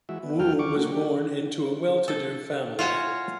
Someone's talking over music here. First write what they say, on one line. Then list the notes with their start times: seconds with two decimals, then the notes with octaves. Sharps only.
Wu was born into a well-to-do family.
0.09 E3 G#3 F#4 E5
0.23 B3
0.39 D#2 F#4 A4 G5 F6
0.59 C#6 D6
0.77 C#3 F#3 A3 A#3 F#4
0.92 D4 G4
2.08 A4
2.79 F4 F#4 C#5 G#5